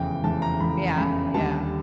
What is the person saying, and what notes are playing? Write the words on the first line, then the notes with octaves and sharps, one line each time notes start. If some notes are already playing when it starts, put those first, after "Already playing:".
Yeah, yeah.
Already playing: F1 E2 C#3 G5
F1 E2 C#3 A5
A#5
F1 E2 C#3 B5
F1 E2 C#3 B5
D#2 D3 G3 A5